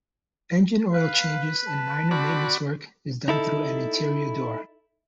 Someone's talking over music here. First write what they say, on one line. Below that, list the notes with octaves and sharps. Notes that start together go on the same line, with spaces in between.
Engine oil changes and minor maintenance work is done through an interior door.
B4 F5
A5
C4 F#4 D5 B5
D#4 E4 A4